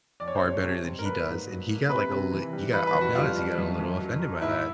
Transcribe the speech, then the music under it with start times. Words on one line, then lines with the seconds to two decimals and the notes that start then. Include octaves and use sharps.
far better than he does," and he got like a li he got I'll be honest, he got a little offended by that.
0.20 F2 D5
0.28 C#5
0.35 C5
0.41 C3 C#5
0.63 C3
0.83 G3
0.99 A#4
1.05 A#3 B4
1.25 G#2
1.47 F#3
1.69 A#3
1.89 C3 B4
2.11 C3
2.31 E3
2.53 G3
2.74 E3 B4
2.87 B4
2.95 F2
3.01 F#4
3.15 G3 F4
3.37 F2
3.58 F#2
3.79 F#2
4.00 F#3
4.20 F#3
4.42 G#2 E4